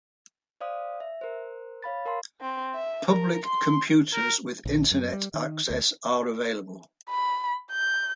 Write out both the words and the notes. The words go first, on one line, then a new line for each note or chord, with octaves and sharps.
Public computers with Internet access are available.
C5 D5 F5 D#6
E5
A#4 C5
C#5 F5 B5 A6
A#4 F5 A5 C6
C4
E5
A#4
C6
A#4
A#1
F#2
G3
D#3
D2
B5
G6